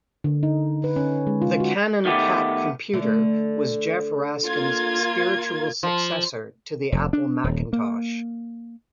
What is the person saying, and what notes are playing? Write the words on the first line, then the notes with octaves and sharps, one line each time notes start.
The Canon Cat computer was Jef Raskin's spiritual successor to the Apple Macintosh.
D3
D#4
B4
C#4
G#3
F4
F#4
D#3 A3 B3 G4
D3 A3
A#3 F4 G#6
F3
F1
D4
D#1
A#3